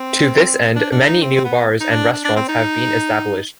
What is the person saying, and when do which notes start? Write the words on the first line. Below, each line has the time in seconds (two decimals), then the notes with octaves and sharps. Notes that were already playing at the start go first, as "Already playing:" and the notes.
To this end many new bars and restaurants have been established.
Already playing: C4
0.76 D4
0.91 D4
1.06 D#4
1.22 C4
1.36 C4
1.44 B3
1.80 D#4
1.90 D4
2.13 D4
2.24 D4
2.36 C4
2.48 D#4